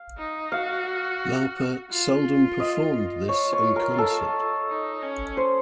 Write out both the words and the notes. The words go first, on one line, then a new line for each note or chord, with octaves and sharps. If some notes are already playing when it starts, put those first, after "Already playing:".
Lauper seldom performed this in concert.
Already playing: F5
D#4
F#4 F5
F4
D#5
F4 C#5
C#5
A#4
A4
D#4
C#4
C5